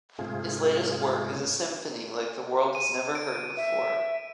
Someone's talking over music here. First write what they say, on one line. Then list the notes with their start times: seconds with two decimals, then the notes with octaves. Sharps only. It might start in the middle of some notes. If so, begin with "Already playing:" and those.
His latest work is a symphony like the world has never heard before.
0.19 G#2 C3 A3 F4 G#4
2.75 D#7
3.15 D7
3.57 E5